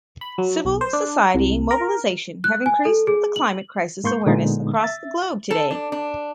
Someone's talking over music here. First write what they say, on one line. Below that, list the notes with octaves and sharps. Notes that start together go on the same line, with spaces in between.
Civil society mobilization have increased with the climate crisis awareness across the globe today.
B5
F#3
B1
C5
D4
C2
A#4
F#6
G#5
A4
G#4
F#7
G#2 A#3 C6 C#6 G6
A#2 D3 G#3 B3 D#4
E5 A6
A4
D4
D4